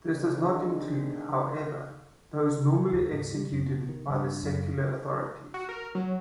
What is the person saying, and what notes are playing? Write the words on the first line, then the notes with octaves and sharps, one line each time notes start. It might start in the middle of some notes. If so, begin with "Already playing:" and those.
This does not include, however, those normally executed by the secular authorities.
D#3 G#3 C4 D4 D#4
D#2
G#2
G3
F#2
B2
D#3
G2
F#2
F#4
A#4
F#3